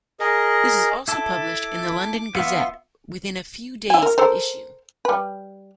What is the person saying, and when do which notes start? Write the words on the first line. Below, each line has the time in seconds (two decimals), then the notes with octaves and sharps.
This is also published in the "London Gazette" within a few days of issue.
0.20 G#4 A#4 D#5
1.08 E4 A4 D6
2.35 B3 F4 E5
3.90 E4 G#5
4.02 A#4
4.18 A4 A#4 C5
5.05 G3 B4